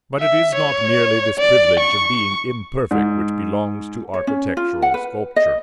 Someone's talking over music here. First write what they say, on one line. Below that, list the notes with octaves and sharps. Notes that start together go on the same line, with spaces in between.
But it is not merely this privilege of being imperfect which belongs to architectural sculpture.
E5
C#5
D5
C#6
G#2
C#5
C#4
F4
F#5
B4
D#5